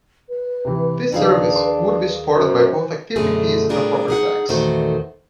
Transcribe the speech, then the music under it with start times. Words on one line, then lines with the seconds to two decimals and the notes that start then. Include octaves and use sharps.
This service would be supported by both activity fees and a property tax.
0.29 B4
0.65 C3 E3
1.12 D#2 C#3 F3 D4 D#4 G#4 F5
1.56 C6
2.36 F#2 B4 C5
3.16 F#2 B2 D3 E3 A3 G#4
3.69 A2 G3 D4 F4 G#4 A#4
4.08 D#4 G#4 F#5
4.48 E2 A#2 D#3 A3 F#4 C5